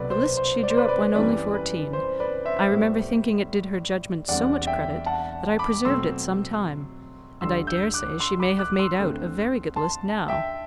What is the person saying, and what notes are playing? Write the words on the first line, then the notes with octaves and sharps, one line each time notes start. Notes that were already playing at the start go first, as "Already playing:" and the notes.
The list she drew up when only fourteen--I remember thinking it did her judgment so much credit, that I preserved it some time; and I dare say she may have made out a very good list now.
Already playing: C2 B2 F#3 A3 C4 B4 D5
C5
C5
D5
C5
B4 D5
B4 D5
F#2 E3 G3 C4 B4 D5
B4
C5
B4 D5
C5 E5
A2 G3 B3
E2 D3 G3 C4 D5 F#5
E5 G5
F#5 A5
B5 D6
B2 F#3 A3 C4 C6 E6
D2 D3 G3 C6 E6
E6 G6
D6 F#6
C6 E6
B5 D6
D6 F#6
C6 E6
D2 D3 A3 C4
A5 C6
E5 G5